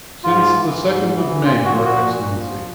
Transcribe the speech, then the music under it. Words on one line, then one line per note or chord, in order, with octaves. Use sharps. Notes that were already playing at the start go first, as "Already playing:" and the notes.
"Since the second of May, your Excellency."
G#2 F4
E3
G#2
E3
A#2 F4
F#4
F3
F#4
A#2
F3